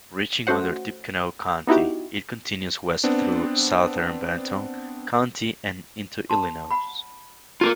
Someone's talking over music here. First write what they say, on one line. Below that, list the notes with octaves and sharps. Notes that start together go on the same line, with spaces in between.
Reaching under Tippecanoe County, it continues west through southern Benton County and into Illinois.
A3 C#4 F#4 C5 F#5
B3 D#4 E4 F#4 G4
B3 C4 D4
A5 C6
F#5 B5
F4 G#4 A#4